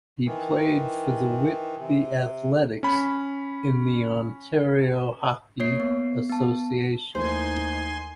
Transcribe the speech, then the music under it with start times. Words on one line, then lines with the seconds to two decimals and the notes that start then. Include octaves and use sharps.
He played for the Whitby Athletics in the Ontario Hockey Association.
0.26 D#3 E3
1.77 C3
2.83 C#4 B5
5.60 A#3 C#5 C7
5.80 B3
6.30 B3 A5
7.15 D#2 E3 A3 D#4 C5 G#5 C6